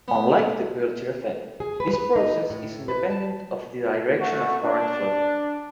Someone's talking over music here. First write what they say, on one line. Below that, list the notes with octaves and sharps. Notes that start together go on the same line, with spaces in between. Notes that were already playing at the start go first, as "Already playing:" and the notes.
Unlike the Peltier effect, this process is independent of the direction of current flow.
B3
G#4
B4
B4
D#4
A2
B4
A5
A3 F#4
D4